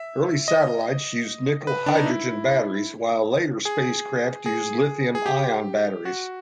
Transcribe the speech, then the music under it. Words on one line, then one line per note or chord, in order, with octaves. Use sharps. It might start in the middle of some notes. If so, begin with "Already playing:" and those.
Early satellites used nickel-hydrogen batteries, while later spacecraft use lithium-ion batteries.
Already playing: E5
D#5
B4
D4
D#4
E4
G#4
G#4
G#4
G4
F#4